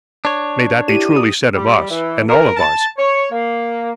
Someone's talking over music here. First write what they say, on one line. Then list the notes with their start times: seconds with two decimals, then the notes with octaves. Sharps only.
May that be truly said of us, and all of us!
0.25 D4 C#5
0.88 E4 G4 D#7
1.16 D#6
1.54 G3
1.90 E3
2.28 A#4
2.57 A5
2.97 C#5
3.31 A#3